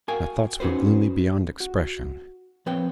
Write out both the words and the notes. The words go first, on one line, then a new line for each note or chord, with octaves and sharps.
My thots were gloomy beyond expression.
F#4 A#4 F5 G5 G#5
C#4 D#4 F#4 B4 C5
F#4
F3 C4 B4 C#5 G5